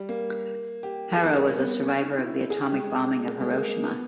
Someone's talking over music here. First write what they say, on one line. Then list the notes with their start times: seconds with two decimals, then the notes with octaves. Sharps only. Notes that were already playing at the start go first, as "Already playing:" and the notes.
Hara was a survivor of the atomic bombing of Hiroshima.
Already playing: G3
0.09 A#3
0.83 G4
1.17 G#4
1.25 A#3
1.33 G3
1.50 B3
1.67 B3
1.83 C#4
2.00 D#4
2.17 E4
2.50 G#4
2.62 G4
2.72 G#3
3.41 G#3
3.50 A#3
3.84 B3